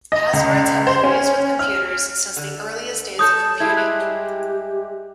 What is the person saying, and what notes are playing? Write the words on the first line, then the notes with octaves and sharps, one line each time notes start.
Passwords have been used with computers since the earliest days of computing.
D#5
C#2
C5
C#4
F6
D3
A4 C#5 A5 D#6 G6
G3 G#3 E4 E5 G#6
G4 F#6